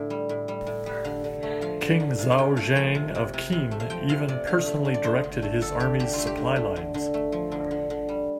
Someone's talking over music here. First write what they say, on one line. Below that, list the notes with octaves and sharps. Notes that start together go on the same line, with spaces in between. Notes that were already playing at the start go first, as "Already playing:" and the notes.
King Zhaoxiang of Qin even personally directed his army's supply lines.
Already playing: A2 D3 A3
G3
A2
G3
A2
G3
D3 F5
D3
A3
F3 F5
D3 A5
D3
C3 F5
F5
C3 G5
A3 F5
F3 G5
C3
C3
C3
C3
A3
F5
F3 G5
C3 F5
C3 D5
D3 F5
A3
D3
D5
A3 C5
D3
A3
D3 A4
A3 G4
D3 G4
A3 F4
G4
D3
A3
D3
D3
A3
F3
D3
D3
D3
G3